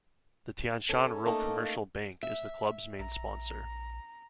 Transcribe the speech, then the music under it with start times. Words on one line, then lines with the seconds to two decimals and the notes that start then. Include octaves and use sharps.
The Tianshan Rural-Commercial Bank is the club's main sponsor.
0.89 C#4 A4
1.26 A3 A#3 D#4
2.23 E5
2.99 A#1 A#5